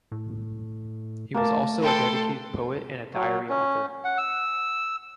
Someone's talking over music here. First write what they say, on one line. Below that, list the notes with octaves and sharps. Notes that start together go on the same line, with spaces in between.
He was also a dedicated poet and a diary author.
A2
A3 A#3 A#4 A5
A4 B4 G5 C6
F#3
C#4
F#5
E6